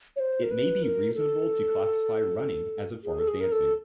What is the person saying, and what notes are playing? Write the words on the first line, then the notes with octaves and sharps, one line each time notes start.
It may be reasonable to classify running as a form of dancing.
C#5
C5
A#4
B4
A#4
A4
G#4
A4
G#4
A#4
A4